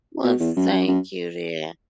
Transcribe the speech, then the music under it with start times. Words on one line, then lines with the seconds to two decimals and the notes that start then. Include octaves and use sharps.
Well, thank you, dear.
0.24 B2
0.40 E2
0.56 F#2
0.72 F#2
0.88 F#2